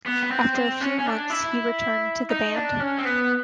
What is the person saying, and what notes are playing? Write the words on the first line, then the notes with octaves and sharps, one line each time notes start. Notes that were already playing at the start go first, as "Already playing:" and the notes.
After a few months he returned to the band.
B3
B3
C4
C4
C#4
C#4
D4
E4
D#4
D4
C#4
C4
B3